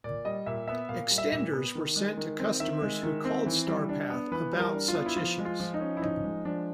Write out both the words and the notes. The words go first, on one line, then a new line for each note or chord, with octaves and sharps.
Extenders were sent to customers who called Starpath about such issues.
A#2 D5
G3 D#5
A#2 E5
B3 E5
A#2 F5
G3
E5
A#2
B3
D#3
G#3
D#3
C4
D#3 E5
G#3
D#3
C4
E3
G3
D4
B3
E3 B4
G3
A#4
D4
F4
B3
E4
F3 F4
G#3
F4
F3
D#4
C#4
E4
F3 D#4
G#3
F3 D4